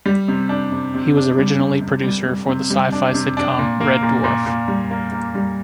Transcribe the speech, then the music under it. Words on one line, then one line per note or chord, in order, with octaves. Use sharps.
He was originally producer for the sci-fi sitcom "Red Dwarf".
G3
C3
D4
C3
C3
D4
G3
C3
C3
G3
G3
C3
G3
D4
C3
D4
A#2
A#3
A#2
A#2
A#2
G3
A#3
A#3
G3